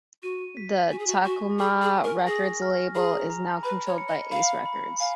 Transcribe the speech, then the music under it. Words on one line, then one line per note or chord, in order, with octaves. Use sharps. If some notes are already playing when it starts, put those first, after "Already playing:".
The Takoma Records label is now controlled by Ace Records.
F#4 D#7
B6
F#4 G#5
G#4
F#4
F#4 C#6
G#4 C#6
G#4
G#5
A#4
G#4 A#6
F6
G#4 A#5
A#5
B4 B5
C#5
C#7
D#5
F5 B5
B5
F5 G#5